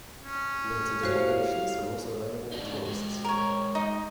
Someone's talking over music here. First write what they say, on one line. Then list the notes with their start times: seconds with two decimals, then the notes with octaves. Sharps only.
Limited accommodations are also available for tourists.
0.22 C#4
1.03 E4 F#4 G4 C5 C#5 F5
2.52 G#2 D4 D#4
2.86 G#3 F#4
3.24 A#4 C#5
3.75 D#4 D#5